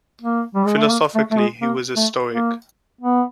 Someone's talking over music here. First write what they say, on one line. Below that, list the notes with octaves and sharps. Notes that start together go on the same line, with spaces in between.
Philosophically he was a Stoic.
A#3
G3
G#3
A3
A#3
A3
A3
G#3
A#3
A3
A#3
B3